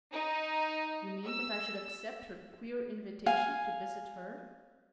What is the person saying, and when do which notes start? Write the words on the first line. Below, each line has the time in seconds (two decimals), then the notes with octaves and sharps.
"You mean that I should accept her queer invitation to visit her?"
0.11 D#4
1.27 E6
3.26 F5 G#5